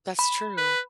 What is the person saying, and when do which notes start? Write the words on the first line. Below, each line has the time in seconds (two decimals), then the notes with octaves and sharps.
That's true.
0.19 B5
0.57 B4